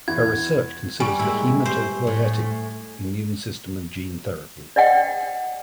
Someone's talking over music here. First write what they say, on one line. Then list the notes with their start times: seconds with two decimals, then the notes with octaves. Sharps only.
Her research considers the haematopoietic immune system and gene therapy.
0.08 E2 G#6
1.00 G3 G#5 C#6
1.19 A#2 G#3 E4
1.66 C3 C5
2.07 A2
4.76 D5 D#5 F#5 G5